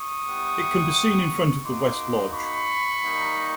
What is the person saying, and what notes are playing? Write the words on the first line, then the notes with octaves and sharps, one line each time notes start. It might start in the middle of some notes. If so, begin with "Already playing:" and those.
It can be seen in front of the West Lodge.
Already playing: C#6 D#6
G3 B3 E4 G4
A#3 D#4 F#4 C6 D6
B5 C#6
G3 A#3 D#4